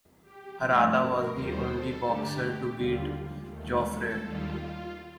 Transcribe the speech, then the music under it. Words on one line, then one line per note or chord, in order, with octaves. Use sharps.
Harada was the only boxer to beat Jofre.
G4
G2 F3 A3
A#4
D#2 D#3 G3 C5
A4
G2 D3 A3 G4
D#2 D3 G3 F4
D#2 D#3 A3
A4
D#2 D#3 G3 F4
F4